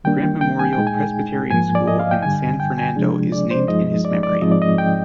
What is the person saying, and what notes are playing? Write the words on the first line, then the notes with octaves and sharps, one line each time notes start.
Grant Memorial Presbyterian School in San Fernando is named in his memory.
D#3 G3 A#3 D4 G5
G5
G#5
G5
A#2 G#3 D#4
G#5
G#2 F3 A#3 G#5
D5
D#5
F5
G5
G2 D3 G3 G#5
G5
G#5
C3 F3 G#3 D4
D5
C5
G2 F3 G#3 D#4 D#5
D5
D5
G#2 F3 G#3 C4 D#4 D#5
D5
D#5
G5